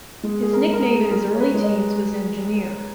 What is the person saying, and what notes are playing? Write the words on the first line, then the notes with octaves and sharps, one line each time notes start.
His nickname in his early teens was "Engineer".
G#3
G#4
A#4
G#3
A#4
G#4
G#4
G#3 A#4
C#5
B4
G#3
D#5